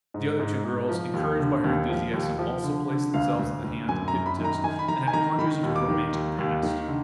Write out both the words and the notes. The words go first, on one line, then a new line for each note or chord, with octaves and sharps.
The other two girls, encouraged by her enthusiasm, also placed themselves in the hands of the hypnotist and had plunges into the romantic past.
G#2
G#2
G#2
F3
D#2
D3
D#2
F3
D#2
F3
D3
D3
D2 F5
D2
D2
F#2 G#5
A#5
F#2
B5
D#3
A#5
D#3 G#5
B5
D#3 A#5
G#5
D#3 A#5
D#3 B5
D#2
D6
D#3
D#2
D#2
D#3
D3